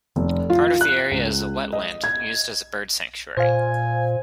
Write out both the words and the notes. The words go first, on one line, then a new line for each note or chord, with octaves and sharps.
Part of the area is a wetland used as a bird sanctuary.
F1
F4
F#6
C#2
D#5
G#6
A#2 C5 F5 G#5